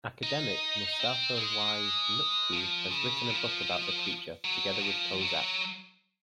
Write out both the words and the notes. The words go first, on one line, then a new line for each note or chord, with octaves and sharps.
Academic Mustafa Y. Nutku has written a book about the creature, together with Kozak.
D#4
C4
G#3
F3
C#3
F3
F#3
F#3
F3
F#3